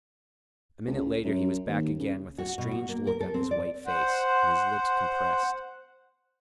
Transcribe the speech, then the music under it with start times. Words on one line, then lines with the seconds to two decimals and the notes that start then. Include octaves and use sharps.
A minute later he was back again, with a strange look on his white face, and his lips compressed.
0.87 C#2
1.24 F#2
1.67 D#2
1.99 C#3
2.38 F#4
2.58 B2
2.72 F#4
2.89 A#3
3.07 A#4
3.20 A4
3.34 C4
3.51 D5
3.86 C5 F#5